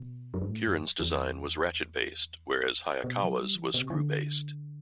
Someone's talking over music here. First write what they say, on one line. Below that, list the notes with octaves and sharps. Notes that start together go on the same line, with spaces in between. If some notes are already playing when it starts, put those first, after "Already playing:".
Keeran's design was ratchet-based, whereas Hayakawa's was screw-based.
Already playing: B2
F#2
G2
A2
F#2
E2
B2
F#3
G3
E3
B2
C3
E3
D3